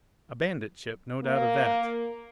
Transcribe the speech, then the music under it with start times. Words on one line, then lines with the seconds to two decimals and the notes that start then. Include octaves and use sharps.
A bandit ship, no doubt of that.
1.22 A#3